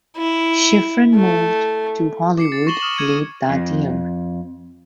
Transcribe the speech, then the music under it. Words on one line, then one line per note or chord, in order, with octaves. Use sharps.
Schifrin moved to Hollywood late that year.
E4
A3
D6 C7 C#7
A6
C#6 A#6 E7 F#7 G7
D#6 F6 E7 F#7 G7
G#6 C#7 D#7
F2